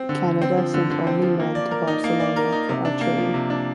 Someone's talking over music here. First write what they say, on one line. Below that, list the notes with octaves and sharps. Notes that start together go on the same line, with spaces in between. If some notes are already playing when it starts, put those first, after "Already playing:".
Canada sent only men to Barcelona for archery.
Already playing: C4
D3
D3
C4
F3
D3
D3
C4
F3
A#3
D5
A#4
D#4
A#3
D5
A#4
D#4
C3
D4
A#3
F3
C3
D4